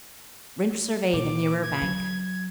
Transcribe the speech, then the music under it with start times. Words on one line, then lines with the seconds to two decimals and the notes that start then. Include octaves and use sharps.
Rynch surveyed the nearer bank.
1.13 A#2 D6
1.61 G#6
1.82 F#3
2.25 G#6